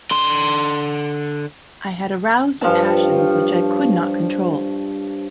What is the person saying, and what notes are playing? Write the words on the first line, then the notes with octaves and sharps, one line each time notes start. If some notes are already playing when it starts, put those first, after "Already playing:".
I had aroused a passion which I could not control.
D3 C6
G2 F3 C#5 A5